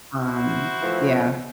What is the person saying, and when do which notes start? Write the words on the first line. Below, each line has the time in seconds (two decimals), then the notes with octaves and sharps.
um, yeah.
0.18 E4 F#4 C5
0.82 E3 F3 A3